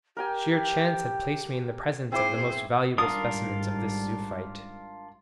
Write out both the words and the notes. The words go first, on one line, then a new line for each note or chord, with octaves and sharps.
Sheer chance had placed me in the presence of the most valuable specimens of this zoophyte.
G4 A#4 G5 G#5
C4 E4 G#4 C5 D6
G#1 G#2 G3 D4 F4 A#4 D#6